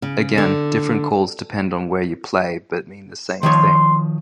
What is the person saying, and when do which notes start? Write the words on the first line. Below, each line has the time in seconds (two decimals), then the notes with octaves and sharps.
Again, different calls depend on where you play but mean the same thing.
0.02 C#3
0.38 D3
3.43 D#3 F3 C#5 C6